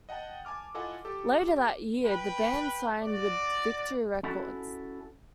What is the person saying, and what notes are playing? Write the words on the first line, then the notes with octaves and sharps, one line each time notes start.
Later that year, the band signed with Victory Records.
D#5 F#5 G5 A5
G#5 A5 D6 F6
E4 F4 A4 D#5 F#5 G#5
G4 A4
B4 G5 B5
F#4 D5
C#4 E4 F#4 A4